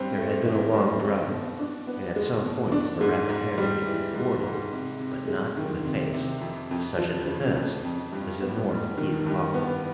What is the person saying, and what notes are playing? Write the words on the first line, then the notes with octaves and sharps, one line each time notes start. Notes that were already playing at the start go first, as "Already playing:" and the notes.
There had been a long drought, and at some points the Rappahannock could be forded, but not in the face of such a defence as the North here offered.
Already playing: G2 C4
A3
E3
G2
C4
B2
D4
B3
G#3
B2
D4
G#2
G#2
G3
E3
G#2
G#2
C3
C3
G#3
D#3
C3
C3
F2
F2
F3
C#3
F2
F2
G2
B3
G3
D#3
G2
B3